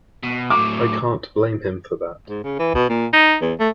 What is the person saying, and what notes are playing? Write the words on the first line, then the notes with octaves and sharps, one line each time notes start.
I can't blame him for that.
B2
A2 F#3 D6
G#2
C#3
E3
B2
A#2
D#4
E2
A3